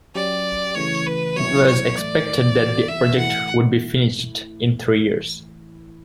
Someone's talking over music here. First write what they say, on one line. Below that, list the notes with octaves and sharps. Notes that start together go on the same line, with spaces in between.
It was expected that the project would be finished in three years.
F#3 C#4 G4 D5
C#3 E3 A3 C#5
B4
F#3 B3 E4 C#5
C#5
A2 E3 A3 E4 D5
E3 B3 F#4
E5
A2 E3 A3 E4 F#5